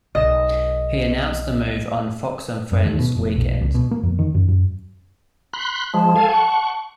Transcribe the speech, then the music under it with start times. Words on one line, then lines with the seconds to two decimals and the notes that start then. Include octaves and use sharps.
He announced the move on "Fox and Friends Weekend".
0.15 B1 D#5 A#6 E7
2.72 F#2
2.86 D#2
2.99 B2
3.16 F1
3.36 B1
3.62 C#2
3.74 B2
3.91 A#3
4.03 F2
4.19 D#3
4.34 F#2
4.48 F#2
5.54 B5 C6 F#6
5.94 F3 G#3 A5
6.16 A4 F5 G#5
6.29 F#5 C#6